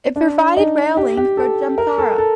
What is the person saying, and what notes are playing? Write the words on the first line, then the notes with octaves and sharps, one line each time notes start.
It provided rail link for Jamtara.
D4
D#4
G4
G4
A4
A#4
A4
A4